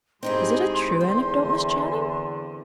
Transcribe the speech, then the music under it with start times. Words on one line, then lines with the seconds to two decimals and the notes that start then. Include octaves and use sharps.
"Is it a true anecdote, Miss Channing?"
0.23 G#2 C4 D#4 E4 G4 G#4 C6
1.01 E2 D3 C4